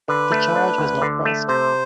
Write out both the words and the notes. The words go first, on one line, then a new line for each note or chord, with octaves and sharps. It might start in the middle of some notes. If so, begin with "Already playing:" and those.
The charge was not pressed.
D3 B4
A3
D4
D2
D3
A3
C3 C5